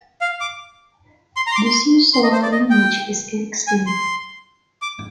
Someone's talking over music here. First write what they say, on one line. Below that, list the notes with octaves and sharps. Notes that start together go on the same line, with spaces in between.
The Siuslaw language is extinct.
F5
D6
C6
A#5
C6
D6
C6
C6
D#5
C5
D5
D#5
G5
G#5
C6
D6